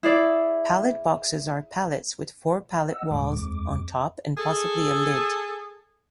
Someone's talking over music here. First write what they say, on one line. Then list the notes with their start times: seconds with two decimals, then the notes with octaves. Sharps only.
Pallet boxes are pallets with four pallet walls on top and possibly a lid.
0.03 E4 G#4 D5 E5
2.90 D#5 F#5 E6
3.11 D#2 A#2 G3 G#3 D6
3.36 F2
4.38 G#4 A4